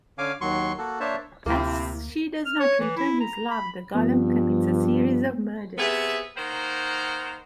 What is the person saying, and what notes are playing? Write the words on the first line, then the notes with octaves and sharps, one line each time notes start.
As she does not return his love, the golem commits a series of murders.
D3 C#4 F5 G#5 D6
D#2 F#3 C6 C#6
A#3 F#4 A4
A#3 D4 C5 C#5 E5 A5
D2 C3 F3 A#3 C4 E4
F6
C#5
E3
E4
A#5
B5
G2 F3 B3
C3 B3 G#4 E5
D#3 A#3 C5 F#5 A#5